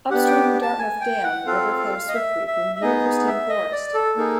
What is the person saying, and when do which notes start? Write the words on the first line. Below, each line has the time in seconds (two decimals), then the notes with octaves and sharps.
Upstream of Dartmouth Dam, the river flows swiftly through near-pristine forest.
0.10 B3 D4 G4 F#5
0.27 G5
0.62 A5
0.79 G#5
1.01 G5
1.24 F#5
1.46 C4 F4 A4 F5
2.08 D#5
2.14 E5
2.47 E5
2.76 E5
2.81 B3 D#4 G#4 D#5
3.27 E5
3.49 D#5
3.72 D5
3.94 A4
4.17 A#3 D#4 G#4